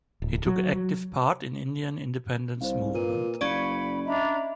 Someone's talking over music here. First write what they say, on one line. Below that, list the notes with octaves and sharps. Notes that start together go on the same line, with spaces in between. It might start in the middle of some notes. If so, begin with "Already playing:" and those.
He took active part in Indian independence movement.
D1
F#3
F#3
C2 C5 F5
A#2 B4 D#7
F#1 C#4 D5 F5 B5 C#7
D4 D#5 E5 A#5 B5